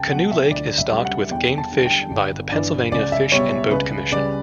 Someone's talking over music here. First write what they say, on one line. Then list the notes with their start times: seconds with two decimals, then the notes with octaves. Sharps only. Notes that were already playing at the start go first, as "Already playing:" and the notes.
Canoe Lake is stocked with game fish by the Pennsylvania Fish and Boat Commission.
Already playing: C#2 G5 A5
0.11 B2 F#3 F#5
0.32 E5
0.51 D2 D5
0.78 E5
0.91 C#3 G3
1.05 F#5
1.31 E2 G5
1.58 A5
1.72 D3 G3
1.85 G5
2.11 G1
2.51 G2 E3 D5
2.92 C#2 D5
3.12 E5
3.32 B2 G3 C#5
3.71 C#2 B4
4.12 C#3 G3 D5